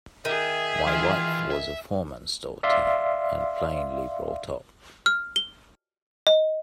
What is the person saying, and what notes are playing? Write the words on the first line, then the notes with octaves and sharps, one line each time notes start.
My wife was a foreman's daughter, and plainly brought up.
D#3 G#4 E5
E3 F4
E5
D5 E5 F5 C6
F6
G7
D#5